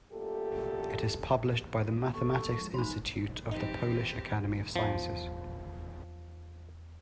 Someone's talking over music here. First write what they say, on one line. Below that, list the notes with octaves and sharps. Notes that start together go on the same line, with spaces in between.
It is published by the Mathematics Institute of the Polish Academy of Sciences.
F#2 A#2 A3 G4 A4
A#2 A#3 B3
A4 C#6
F3 G#3
F2 C#3 E3 D#4 B5 C6
E3 C4 D#4 G4
E2 F3